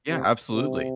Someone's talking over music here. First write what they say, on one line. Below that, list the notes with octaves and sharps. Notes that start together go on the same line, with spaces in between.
Yeah, absolutely.
C3
C3